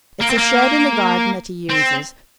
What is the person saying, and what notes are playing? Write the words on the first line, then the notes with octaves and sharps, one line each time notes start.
It's a shed in the garden that he uses.
A#3
C4
A#3
C4